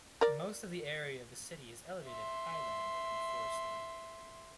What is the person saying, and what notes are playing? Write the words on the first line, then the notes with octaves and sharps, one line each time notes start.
Most of the area of the city is elevated highland and forested.
A#4 D5
E5 C6